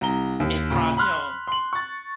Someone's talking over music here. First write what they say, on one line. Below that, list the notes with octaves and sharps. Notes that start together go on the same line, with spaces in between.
in pro you know.
C2 A#5 G7
D#2
A#2 C#3
B5 C6 F6 F#6
C6 F#7
C#6 A6